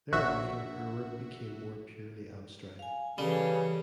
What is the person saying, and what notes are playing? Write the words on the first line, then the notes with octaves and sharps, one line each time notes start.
Thereafter her work became more purely abstract.
A#1 F#4 E5
F5 G#5
C#3 E3 G3 A4 F5 A5